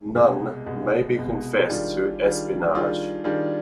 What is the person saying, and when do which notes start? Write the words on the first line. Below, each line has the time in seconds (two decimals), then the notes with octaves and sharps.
Nunn May confessed to espionage.
0.15 C2 B2 G#3
0.67 C2 B2 G#3
1.18 C2 B2 G#3
1.70 D#3 G3 D4 F4 G#4
2.21 D#3 G3 D4 F4 G#4
2.73 D#3 G3 D4 F4 G#4
3.24 D#3 G3 D4 F4 G#4